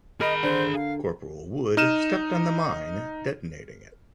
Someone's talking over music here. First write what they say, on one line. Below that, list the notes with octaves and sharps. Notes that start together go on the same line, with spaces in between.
Corporal Wood stepped on the mine detonating it.
G#4 A#4 D#5 B5
D3 C5
F5
D#4 F6 D#7 E7